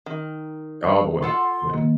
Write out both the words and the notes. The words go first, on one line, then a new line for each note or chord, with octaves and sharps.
Oh, boy. Yeah.
D#3
F4 A4 F#5 C6
D#3 A#3